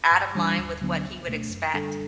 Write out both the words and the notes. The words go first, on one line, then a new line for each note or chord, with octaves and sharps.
out of line with what he would expect.
G2
E3 G3 D4
D2
D3 F#3 B3 D4
C#2
B2 A3 D4
F#2
D3 G3 D4 A4